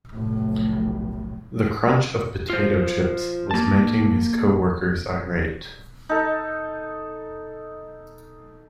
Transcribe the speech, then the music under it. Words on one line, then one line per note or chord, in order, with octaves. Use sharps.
The crunch of potato-chips was making his co-workers irate.
F1 B1 A2
F4 C5
A#3 A5
D#4 A4